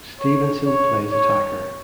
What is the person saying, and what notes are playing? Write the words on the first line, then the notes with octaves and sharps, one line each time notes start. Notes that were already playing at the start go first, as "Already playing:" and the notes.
Stevenson plays Attacker.
C#5
C#5
C#5